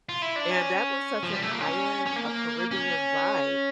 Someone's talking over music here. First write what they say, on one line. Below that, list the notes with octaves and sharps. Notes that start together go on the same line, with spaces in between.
and that was such an island, a Caribbean vibe,
F4
E4
D4
C#4
F3
G3
A3
A#3
C#4
C#4
A#3
C#4